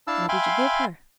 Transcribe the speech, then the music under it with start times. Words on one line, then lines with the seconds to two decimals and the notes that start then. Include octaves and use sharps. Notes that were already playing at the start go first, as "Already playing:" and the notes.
'What did you give her?'
0.07 D4 E4 F5 A5 E6
0.29 E5 F5 G5 G#5 B5 C6